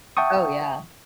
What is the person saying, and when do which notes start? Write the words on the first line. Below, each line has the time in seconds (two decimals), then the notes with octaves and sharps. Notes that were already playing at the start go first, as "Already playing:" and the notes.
Oh, yeah.
0.17 E5 F#5 G5 A5 C#6 D#6